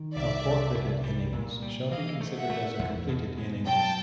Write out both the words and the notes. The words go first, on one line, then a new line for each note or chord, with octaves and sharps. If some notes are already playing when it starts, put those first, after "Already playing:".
A forfeited innings shall be considered as a completed innings.
Already playing: D#3
C2 D5 E5
C2
C2
G3
A#2
G3
E3 D#5 F5
A3
E5 F#5
A3
E2
B2
G#3
F#3 G5 A5